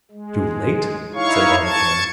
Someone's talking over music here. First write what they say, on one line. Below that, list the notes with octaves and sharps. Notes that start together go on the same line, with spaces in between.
"Too late?" said Barbicane.
G#3
D#4 E4 C#5 F5 C#6
A5 C#6 G#6